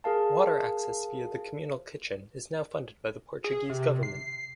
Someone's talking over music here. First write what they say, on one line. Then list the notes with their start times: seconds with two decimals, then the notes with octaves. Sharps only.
Water access via the communal kitchen is now funded by the Portuguese government.
0.04 G#4 A#4 F5 A5
3.44 G#4
3.70 C3
4.03 C7